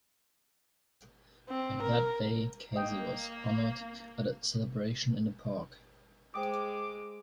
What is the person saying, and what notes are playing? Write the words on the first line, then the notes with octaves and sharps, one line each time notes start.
On that day, Casey was honored at a celebration in the park.
C4
A#4
A#3 D#5 G5
G#3 C5 G5 D6 D#6